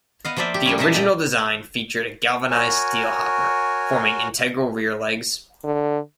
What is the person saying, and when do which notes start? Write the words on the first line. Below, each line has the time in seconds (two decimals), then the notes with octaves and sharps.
The original design featured a galvanised steel hopper, forming integral rear legs.
0.25 B3 D#5 F5
0.36 F3 A#3 C5 D5 E5
0.54 G4
0.66 F3 G3 C#4
0.78 A#2 D#4 G4 D#5 E5 A5
0.94 A#2 D5 D#5 G5
2.50 F#4 A#4 C#5 G#5
5.64 D3